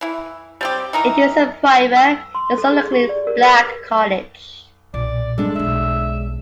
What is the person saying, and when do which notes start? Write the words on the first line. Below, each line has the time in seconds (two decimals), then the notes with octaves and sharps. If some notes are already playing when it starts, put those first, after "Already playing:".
It is a private, historically black college.
0.01 E3 E4
0.61 G3 C4 G4
0.93 E3 D#4 A#4
1.97 E6
2.35 C6
2.58 A4
2.72 G#4
2.92 G4
3.09 D5
3.27 A#4
3.42 B4
4.94 B1 A#2 D5
5.38 F3 G3 G#3 D4 A4
5.55 B1 E2 E5